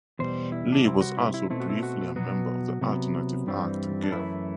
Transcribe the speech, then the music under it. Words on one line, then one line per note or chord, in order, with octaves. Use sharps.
Lee was also briefly a member of the alternative act Gerling.
E2 B2 G3 C5
E4
D4
C3 G3 C4 E4
F#4
E4
E4
B2 A3 C4 E4
F#4
E4
F#4
B2 F#3 B3 F#4
C3 F#3 B3
G2 E3 G3 C4
D4
F#2 E3 A3 E4